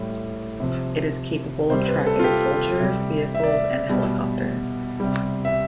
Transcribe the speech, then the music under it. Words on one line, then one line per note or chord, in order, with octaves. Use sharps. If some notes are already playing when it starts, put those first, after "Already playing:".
It is capable of tracking soldiers, vehicles and helicopters.
Already playing: A2 G3
C3 F3
C3 G3 C5
B4
A4
F4
G4
C3 G3
E5
D5
E5
B2 G3
C3 G3
E5